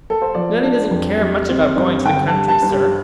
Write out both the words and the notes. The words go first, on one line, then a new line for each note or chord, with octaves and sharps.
"Nanny doesn't care much about going to the country, sir."
A4
C5
F3 D5
D4
F2
G3
C4
G2
D3 G5
A5
G3
A5
G2
G4